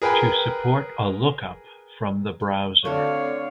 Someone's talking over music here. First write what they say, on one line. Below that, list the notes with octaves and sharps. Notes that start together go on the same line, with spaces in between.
To support a lookup from the browser.
G#4 A#4 B4 G5 G#5 B5
D3 A3 C4 F#4 C#5 D5 F5